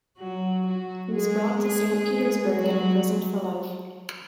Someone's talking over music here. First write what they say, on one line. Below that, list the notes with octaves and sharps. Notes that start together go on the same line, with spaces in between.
He was brought to Saint Petersburg and imprisoned for life.
F#3 F#4
F#3 F#4
G#3 G#4
G#3 G#4
F#3 F#4